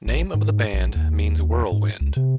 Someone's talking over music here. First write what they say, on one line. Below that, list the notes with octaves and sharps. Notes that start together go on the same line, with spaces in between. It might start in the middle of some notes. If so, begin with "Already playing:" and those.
Name of the band means "whirlwind".
A1
G#2
A#1
D#2
G#2
C#2
C3